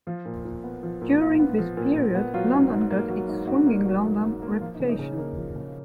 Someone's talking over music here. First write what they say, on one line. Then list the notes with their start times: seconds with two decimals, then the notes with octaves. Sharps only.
During this period, London got its "Swinging London" reputation.
0.07 F3 F4
0.25 A#2
0.45 A#2
0.64 B3
0.83 F3
1.02 A#2
1.20 A#2 F4
1.39 B3
1.58 F3
1.77 A#2
1.96 A#2
2.15 B3
2.34 F#3 F4
2.53 G#2
2.72 G#2
2.90 A#3
3.10 F#3
3.28 G#2
3.47 G#2 F#4
3.67 A#3
3.85 F#3
4.04 G#2
4.23 G#2
4.42 A#3
4.61 F3 F4
4.75 D#4
4.80 C#3
4.89 D#4
4.99 C#3
5.18 A#3 D#4
5.37 F3
5.56 C#3